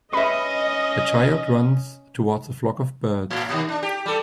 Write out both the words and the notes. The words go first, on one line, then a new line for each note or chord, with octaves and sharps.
A child runs towards a flock of birds.
C#4 B4 D#5 E5 B5
A2
A#2 D#3
D4
G4
G3 A4